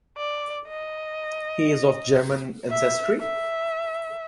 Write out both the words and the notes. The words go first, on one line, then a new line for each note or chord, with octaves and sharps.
He is of German ancestry.
D5
D#5
E5
E5